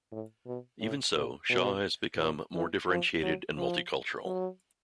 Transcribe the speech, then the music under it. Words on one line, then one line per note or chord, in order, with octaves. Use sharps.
Even so, Shaw has become more differentiated and multicultural.
A2
B2
A2
A#2
B2
A#2
E3
F3
F#3
F3
F#3